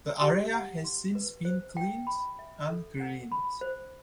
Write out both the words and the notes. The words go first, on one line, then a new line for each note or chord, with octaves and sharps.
The area has since been cleaned and greened.
G4
F#5
C6
B4
C5
G5
B5
E5
A4
F#5
B5
C5